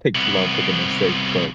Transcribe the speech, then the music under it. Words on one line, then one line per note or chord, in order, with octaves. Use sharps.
take too long cooking a steak, but
C2 B3